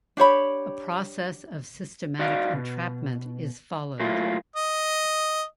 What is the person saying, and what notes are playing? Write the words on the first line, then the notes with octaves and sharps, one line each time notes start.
A process of "systematic entrapment" is followed.
D4 G4 C#5 B5
D#4 F#4 D5 F5
B2
F#3 A3 A#3 E4 F4
D#5